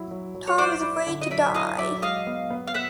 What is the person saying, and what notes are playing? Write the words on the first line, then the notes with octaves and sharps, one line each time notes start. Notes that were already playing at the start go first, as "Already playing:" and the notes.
Tom is afraid to die.
Already playing: F#3 E4
F#3
F#3
C#5
E4 C5 D5
E4
D3
D#5
F#3 D5 E5
E4 D#5 F5
F#3 D5 E5
G#3 D#5 F5
B3
B3
F5
B3 E5 F#5